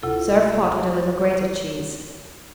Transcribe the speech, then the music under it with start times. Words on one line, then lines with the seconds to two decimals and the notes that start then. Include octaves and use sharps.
Serve hot with a little grated cheese.
0.03 D2 C3 E4 F4 A4